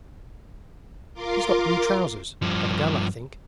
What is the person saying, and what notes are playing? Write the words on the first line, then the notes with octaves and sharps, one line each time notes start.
He's got blue trousers, and a gun I think....
F4 A#4 C6 D6
G2 F3